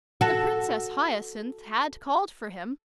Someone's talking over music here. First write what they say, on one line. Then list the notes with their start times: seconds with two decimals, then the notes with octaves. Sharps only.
The Princess Hyacinth had called for him.
0.21 F#4 A4